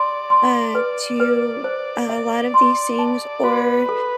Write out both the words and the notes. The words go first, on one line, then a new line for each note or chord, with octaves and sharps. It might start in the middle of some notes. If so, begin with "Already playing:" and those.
uh, to a lot of these things or,
Already playing: D5 C6
C6
B4
B4
C5
E5
C6
A5
F#4 B4
A4